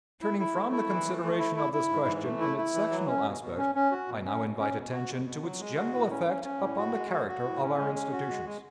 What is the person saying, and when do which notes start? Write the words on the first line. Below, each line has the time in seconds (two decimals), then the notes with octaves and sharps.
Turning from the consideration of this question in its sectional aspect, I now invite attention to its general effect upon the character of our institutions.
0.22 E4
0.39 E4
0.55 A3
0.72 E4
0.89 E3
1.06 A3
1.23 A3
1.39 E4
1.56 E4
1.73 E4
1.89 G#2
2.06 E3
2.23 A3
2.40 E4
2.57 E4
2.74 E3
2.91 F#3
3.07 C#4
3.25 B2
3.41 B2
3.58 C#4
3.75 C#4
3.91 F#4
4.08 B2
4.25 C#4
4.42 B2
4.59 C#4
4.75 B2
4.92 F#4
5.10 B2
5.25 B2
5.42 F#3
5.60 G#3
5.76 F#4
5.93 A2
6.10 C#4
6.27 C#4
6.44 C#4
6.60 A2
6.77 F#4
6.94 G#3
7.11 F#4
7.28 F#4
7.45 A2
7.62 C#4
7.79 G#3
7.95 C#4
8.12 F#4
8.29 G#3
8.46 G#3